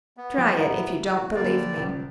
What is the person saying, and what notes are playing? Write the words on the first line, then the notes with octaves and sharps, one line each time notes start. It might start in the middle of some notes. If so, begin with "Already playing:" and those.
Try it, if you don't believe me.
B3
F3
G3 E4 A#5
F#4
D3 G3 A#3 D5
D#1 C#2